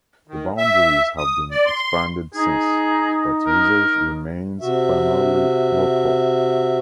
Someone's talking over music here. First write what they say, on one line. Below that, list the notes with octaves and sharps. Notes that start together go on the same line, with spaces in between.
The boundaries have been expanded since, but usage remains primarily local.
D#3
E5
D#6
D5
C6
D#4 G#4
A#4
C3 F#4 E5